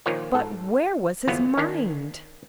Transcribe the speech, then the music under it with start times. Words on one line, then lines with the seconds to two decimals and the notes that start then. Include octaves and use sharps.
But where was his mind?
0.06 A#2 D#3 F3 C#5
0.34 G#2 A4
1.27 G1 E2 F3 F#3 B3 F5
1.57 D#3 C#4 D4